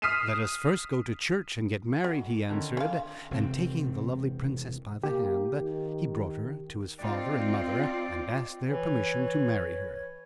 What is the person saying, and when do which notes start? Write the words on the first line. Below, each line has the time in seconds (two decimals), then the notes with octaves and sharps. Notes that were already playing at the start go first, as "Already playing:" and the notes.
"Let us first go to church, and get married," he answered, and taking the lovely princess by the hand, he brought her to his father and mother, and asked their permission to marry her.
0.02 D#6 F6 B6 C7 D#7 E7
2.04 F#3
2.49 D3 D#3 C#4
2.77 C#4 F5 C6
3.31 E1 C3 C4
5.04 A#3 G4
5.59 D#3
6.99 C4 D#4 F4 D5 G5
8.67 E3 C#5